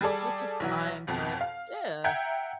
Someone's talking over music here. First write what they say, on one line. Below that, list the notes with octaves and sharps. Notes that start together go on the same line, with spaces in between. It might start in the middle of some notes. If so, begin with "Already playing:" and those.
Which is fine. But, yeah.
G3 G#4 A4 D5
B1 E3 F#3
G#1 F2 B2
F5
E5 F#5 G5 A#5 G6 G#6